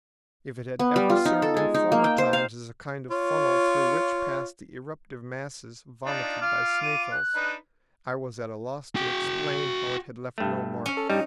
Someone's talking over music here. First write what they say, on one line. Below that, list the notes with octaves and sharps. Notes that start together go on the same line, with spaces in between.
If it had ever served in former times as a kind of funnel through which passed the eruptive masses vomited by Sneffels, I was at a loss to explain how it had left no mark.
B3
G3
F4
D#4
A4
G#3
D#4
A#3
G5
C5
F5
F4 C#5
D4 D#4 F4
F4 D6 F6
D#7
F#6
D4 D#4 B4
F#4 G5
G2 A3
C#4
A4
G2 G3 D#4